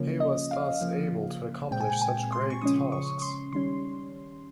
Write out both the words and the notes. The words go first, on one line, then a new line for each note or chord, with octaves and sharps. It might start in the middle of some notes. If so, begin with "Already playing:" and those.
He was thus able to accomplish such great tasks!
Already playing: C#3 F3 A#3 C#4
D#5
F5
C#3 F3 A#3
A#2 G#3 C4 G5
G#5
G5
G#5
C6
C#6
C#3 F3 G#3 C#4 D#6
C#6
C6
D#3 G3 C#4 C6